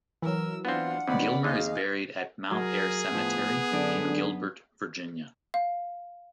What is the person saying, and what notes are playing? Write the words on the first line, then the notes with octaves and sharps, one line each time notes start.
Gilmer is buried at Mount Air Cemetery in Gilbert, Virginia.
E3 F#3 A#4 E6
B3 C4 D4 F4 F#5
D#2 B3 C4 D5 B5
D#2 G#4 D#5 F5
F#3 G#4 A#4
A2 F3 B3
F#2 D3 D4
F5